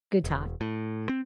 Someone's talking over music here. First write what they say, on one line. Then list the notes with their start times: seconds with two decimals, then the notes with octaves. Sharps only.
Good times.
0.24 E1
0.61 A2
1.09 C4